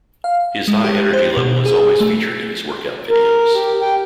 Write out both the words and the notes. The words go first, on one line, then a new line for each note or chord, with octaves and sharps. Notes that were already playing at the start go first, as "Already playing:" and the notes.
His high energy level is always featured in his workout videos.
F5
G#3
G4
C5
B2
G#4
A3
A#4
G4
G5